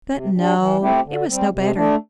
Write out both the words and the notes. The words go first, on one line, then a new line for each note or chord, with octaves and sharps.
But no; it was no better.
C3
G3 D4
E3
A3 C4 E4 G4
D3
G3 C4
C3
A3 D4